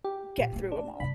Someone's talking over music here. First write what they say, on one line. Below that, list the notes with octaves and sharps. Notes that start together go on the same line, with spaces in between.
get through ‘em all.
G4
A#2
A3 C#4
D4
G2 C3 B5